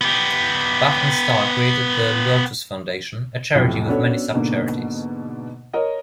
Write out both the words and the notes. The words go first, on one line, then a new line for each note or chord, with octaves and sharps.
Bach and Starr created The Lotus Foundation, a charity with many sub-charities.
B3 G4
B1 F2 A2 C3
B3 C#4 D4 F#4 A4 C#5
G#2 B2 D3 A#3
A#4 C#5 D#5